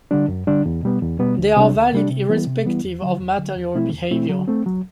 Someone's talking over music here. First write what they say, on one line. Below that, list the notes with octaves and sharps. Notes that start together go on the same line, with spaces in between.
They are valid irrespective of material behaviour.
D3 G3 D4
F#2
D3 G3 D4
E2
B2 G3 B3
E2
B2 G3 B3
D2
C3 G3 D4
D2
C3 G3 D4
C3
E3 G3 B3 E4
C3
E3 G3 B3 E4
E2
D3 F#3
E2
D3 F#3
E2
B2 A3 C4 E4
E2
B2 A3 C4 E4
F#3
A3 C4
F#3